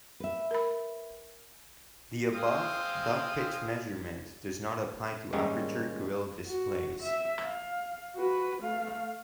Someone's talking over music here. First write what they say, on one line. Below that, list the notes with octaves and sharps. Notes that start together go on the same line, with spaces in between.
The above dot pitch measurement does not apply to aperture grille displays.
B4 E5
A#4 B5
G#3 C4 F5 D#6
G#2 D#3 G3 G#3 A#3 C#4
F#4
E5
F5
F#4 B4
A3 F5